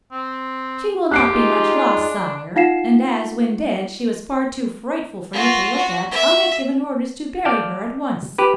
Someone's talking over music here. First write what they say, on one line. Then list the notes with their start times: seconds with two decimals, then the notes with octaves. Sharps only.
"She will not be much loss, sire; and as, when dead, she was far too frightful for you to look at, I have given orders to bury her at once."
0.12 C4
1.11 G4 F#6 C7 D7
1.32 D#4 F4 G#4
1.74 D4
2.56 D#4 F4 F5 F#5 C7 E7
5.32 F4 F#4
5.75 F#4
6.11 E5
7.45 D5 F5 G5 A5
8.38 G4 B4